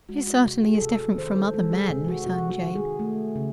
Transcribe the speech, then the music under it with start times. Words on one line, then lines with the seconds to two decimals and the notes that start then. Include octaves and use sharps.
"He certainly is different from other men," returned Jane.
0.09 G#3 F#4
0.27 F#4
0.45 C3 F#4
0.64 G#4
0.75 A4
0.82 C3 G#4
0.99 A4
1.18 D#3 C5
1.36 A4
1.54 G#3 A4
1.72 G#4
1.90 C3 G#4
2.08 F#4
2.27 C3 F#4
2.50 F#4
2.63 D#3
2.75 G#4
2.99 A3
3.36 C#3